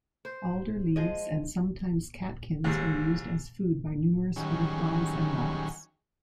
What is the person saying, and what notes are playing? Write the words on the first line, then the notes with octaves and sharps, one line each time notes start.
Alder leaves and sometimes catkins are used as food by numerous butterflies and moths.
C5
F3 G#3 D#5
D#2 G#2
D#3 F#3 G3 C#4 G#4